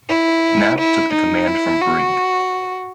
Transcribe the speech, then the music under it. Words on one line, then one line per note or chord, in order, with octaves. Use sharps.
Knapp took the command from Brig.
E4
E4
D#4
E4
F#4